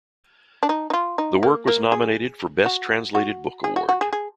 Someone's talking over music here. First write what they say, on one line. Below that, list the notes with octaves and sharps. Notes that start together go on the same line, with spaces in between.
The work was nominated for Best Translated Book Award.
D4
D#4
D#4
F4
D#4
A#3
A#3
G#4
F#4
F#4
G#4
F#4
F#4
G#4
G#4